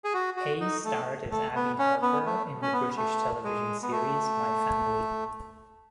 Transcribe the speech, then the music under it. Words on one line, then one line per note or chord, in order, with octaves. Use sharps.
Hayes starred as Abi Harper in the British television series "My Family".
G#4
F#4
F#4
D#4
A3
A3
B3
C#4
B3
A3
C#4
B3
A3
G#3
B3
A3